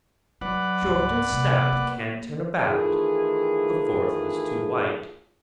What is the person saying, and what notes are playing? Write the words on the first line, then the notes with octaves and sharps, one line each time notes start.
'Short and stout, can't turn about!' The fourth was too white.
F#3 B4 D5 F#5
C#2 G#2
C3 A#3
A#3
D#3 E3 A3 F4 G#4